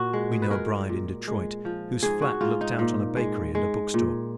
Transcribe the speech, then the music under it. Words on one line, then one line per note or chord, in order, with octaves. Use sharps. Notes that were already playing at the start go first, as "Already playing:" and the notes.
We know a bride in Detroit whose flat looked out on a bakery and a bookstore.
Already playing: A#2 F#4
G#3
G#4
B4
G#3 A#4
A#2
G#3
F3
G#2 G#4
F#4
G#2 F4
D#4
A#2
G#3
G#3
A#2